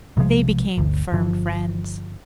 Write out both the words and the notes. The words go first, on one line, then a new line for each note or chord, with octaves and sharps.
They became firm friends.
B1 C3 F3 G#3
G1 D2
G1 F3